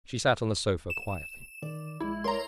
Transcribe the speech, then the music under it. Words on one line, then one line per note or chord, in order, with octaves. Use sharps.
She sat on the sofa quietly.
E7
D#3 D5
A#1 G#3 E4
A#4 C#5 D5 A#5 C6